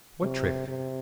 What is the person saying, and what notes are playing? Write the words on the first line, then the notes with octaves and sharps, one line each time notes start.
"What trick?"
C3
C3